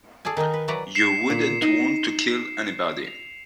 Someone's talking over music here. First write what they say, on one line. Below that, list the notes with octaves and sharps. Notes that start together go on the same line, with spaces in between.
You wouldn't want to kill anybody.
G#4 A4 D5 G#5
D#3 D#4 A#4 D#5
B4
E3 F#3 F#4 B4 D5 A#5
C7 C#7 E7
A#2
D#4
F7